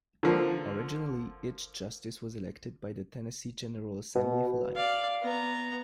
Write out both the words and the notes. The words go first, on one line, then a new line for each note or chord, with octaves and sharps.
Originally, each justice was elected by the Tennessee General Assembly for life.
D3 F3 A#3
B2
D5 F5
B3 A#5